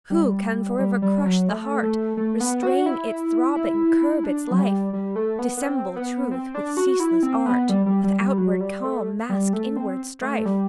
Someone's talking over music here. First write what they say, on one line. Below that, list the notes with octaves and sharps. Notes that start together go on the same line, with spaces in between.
"Who can for ever crush the heart, Restrain its throbbing, curb its life? Dissemble truth with ceaseless art, With outward calm mask inward strife?"
G3
G3
G3
F#3
A3
A3
A3
B3
F#4
E4
E4
D4
F#3
G3
G3
A3
B3
B3
C4
B3
C4
D4
F#4
E4
C4
B3
G3
G3
G3
G3
F#3
G3
A3
G3
A3
C4
A3
G3